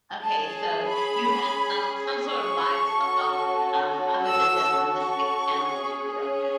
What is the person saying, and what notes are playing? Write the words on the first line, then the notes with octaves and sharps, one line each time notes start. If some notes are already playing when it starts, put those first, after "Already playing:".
Okay. So, you had some some sort of livestock, um, other than just domestic animals you grew up with.
C#4 G#4 A5
B5
C#6
C#4 F#4 A4
E6
C#6
C#4 G#4